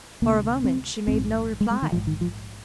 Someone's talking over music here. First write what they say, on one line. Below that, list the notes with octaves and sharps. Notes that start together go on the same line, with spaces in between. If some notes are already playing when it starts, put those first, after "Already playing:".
For a moment she made no reply.
D2 C3 A#3
C4
A#1 G#2 C4
G#3
G#3
D#3
A#1 G#2 F3
D#3
F3